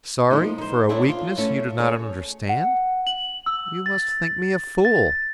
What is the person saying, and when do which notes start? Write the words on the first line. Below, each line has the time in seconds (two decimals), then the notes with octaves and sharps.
"Sorry for a weakness you do not understand? You must think me a fool."
0.30 F3 G#3 A#3 D#4 E4
0.58 D#4 C5
0.89 C4 D4 E4 G#4 A4 C#5
1.09 F4
1.38 A3 C#4 E4
1.78 A3 G#4 C#5
2.49 F#5
3.07 F#7
3.46 E6
3.86 A6
4.85 A6